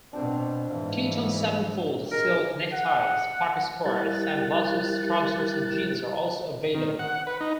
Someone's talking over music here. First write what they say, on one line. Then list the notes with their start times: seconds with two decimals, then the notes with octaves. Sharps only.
Kiton sevenfold silk neckties, pocket squares, sunglasses, trousers and jeans are also available.
0.13 B2 C4 D4 C5
0.70 G#2 E3 F5
2.11 G#3 A#4 A#5
2.72 F#5
3.85 G3 E4 G4 A#4 F#6 A6
6.75 D#3
6.99 F#5
7.27 B4
7.41 D#4